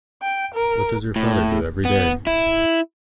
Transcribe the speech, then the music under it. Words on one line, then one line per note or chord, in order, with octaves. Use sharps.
What does your father do every day?
G5
A#4
A2
B3
E4